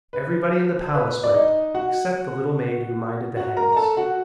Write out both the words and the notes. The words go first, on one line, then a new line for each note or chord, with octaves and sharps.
Everybody in the palace went except the little maid who minded the hens.
B4
B4
D5
D#4 D#5
F#4 F#5
F#4 F#5
A#4 A#5
A#5
A4 A5
F#4 F#5